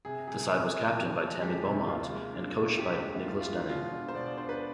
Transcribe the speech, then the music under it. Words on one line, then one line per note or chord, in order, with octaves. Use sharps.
The side was captained by Tammy Beaumont and coached by Nicholas Denning.
C3 G#4
C3 G#4
C3
C3
F3
F3
G#3 G4
C3
D#2 F4
G#3
D4
D4
D#2 G4
G#3
D4 F4
F4
G#3
B2 F4
D4
C5
B2 D5
D5
D4 C5
B4